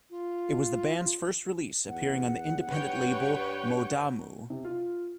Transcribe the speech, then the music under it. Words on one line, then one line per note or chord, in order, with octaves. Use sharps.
It was the band's first release, appearing on the independent label Mo-Da-Mu.
F4
E2 F#5
G2 B4 C#5 G5
C3
F4